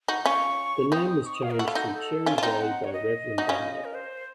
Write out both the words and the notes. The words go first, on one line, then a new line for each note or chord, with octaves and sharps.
The name was changed to Cherry Valley by Reverend Dunlop.
D#4 F#4
C#4 F4 C#6
C4 D#4 D#6
C#6
D#6
F5
A#4
F#4 A4
F4
D#4 F#4
A4
C#4 F4 A#4
A5
F4
C4 D#4 C6
A#5
F#5
C#5
D#5
D#4 F#4
C#4 F4
A#4
C5